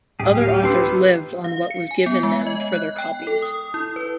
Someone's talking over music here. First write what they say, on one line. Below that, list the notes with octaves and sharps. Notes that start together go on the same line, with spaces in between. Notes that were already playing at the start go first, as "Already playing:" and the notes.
Other authors lived on what was given them for their copies.
D1 G4 G#4 G5
G4 F5
D4 B4 C6 E6
B3 D#4 F4
F5
C#7
G#5
B3
G#3
D#5
F#6
G5
A4
D#6
E4
B4